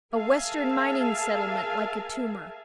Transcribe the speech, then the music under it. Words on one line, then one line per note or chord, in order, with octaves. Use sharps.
A Western mining-settlement like a tumor.
G#4 A#4 E5 F5 G#5 A5